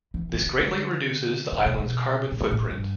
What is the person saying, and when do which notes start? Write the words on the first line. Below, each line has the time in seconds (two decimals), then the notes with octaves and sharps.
This greatly reduces the island's carbon footprint.
0.14 E3
0.34 D3
0.46 C#3
0.59 D3
1.52 C#3
1.66 B2
1.79 B2
2.32 A#2
2.51 A2
2.71 G2